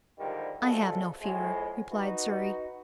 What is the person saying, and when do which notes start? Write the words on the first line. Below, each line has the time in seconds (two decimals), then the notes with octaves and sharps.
"I have no fear," replied Surrey.
0.19 G#2 D3 D#3 F3 G3
0.61 C2 F2 B2 G#3 F4 A4
1.22 F2 A2 G#3
1.91 D#4 F#4 B4